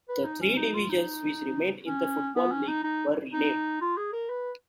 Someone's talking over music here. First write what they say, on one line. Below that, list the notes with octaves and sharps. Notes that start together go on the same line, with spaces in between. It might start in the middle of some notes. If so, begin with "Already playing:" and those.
The three divisions which remained in the Football League were renamed.
B4
D#4
C#4
D#4
F4
D#4
C#4
B3
C#4
D#4
D#4
D#4
F4
G#4
A#4
B4